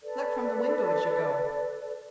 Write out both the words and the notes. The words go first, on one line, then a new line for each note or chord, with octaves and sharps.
Look from the window as you go.
A4 B4 D5